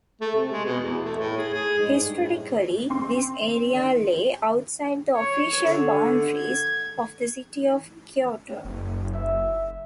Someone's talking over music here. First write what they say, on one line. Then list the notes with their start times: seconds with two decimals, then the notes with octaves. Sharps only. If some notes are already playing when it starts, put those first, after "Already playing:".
Historically, this area lay outside the official boundaries of the city of Kyoto.
0.21 A3
0.35 C3
0.52 G#3
0.66 B2
0.80 E2
1.05 A3
1.18 A2
1.37 G#4
1.53 G#4
1.79 G#2
1.97 G2
2.20 A2
2.90 C4 C6
5.16 C#5
5.63 D3
6.36 G#6
8.65 F#1
9.14 E5